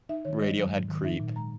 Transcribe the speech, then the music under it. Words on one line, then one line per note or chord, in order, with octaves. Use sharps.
Radiohead Creep
D#4 E5
D#3 C#5
G#3 D#5
F#3
G#2
D#3
D#4 E5
A#2
G#3 A#5